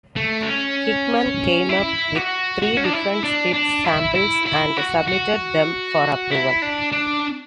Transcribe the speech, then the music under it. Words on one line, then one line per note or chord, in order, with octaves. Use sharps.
Hickman came up with three different script samples and submitted them for approval.
A3
D4
C#4
E4
F#4
F#4
C#4
D4
E4
D4
D4
E4
E4
E4
F#4
F#4
E4
D4
D4